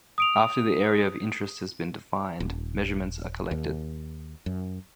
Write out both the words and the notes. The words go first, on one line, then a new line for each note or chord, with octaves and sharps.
After the area of interest has been defined, measurements are collected.
D#6 D7 F7
D#1
D#2
F#2